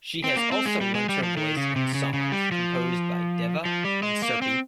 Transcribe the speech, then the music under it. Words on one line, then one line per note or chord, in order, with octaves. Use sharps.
She has also lent her voice in songs composed by Deva and Sirpy.
C4
A#3
C4
G#3
G3
G#3
G3
F3
D#3
C#3
C3
C#3
C#3
G3
F3
F3
G3
G#3
A#3
C4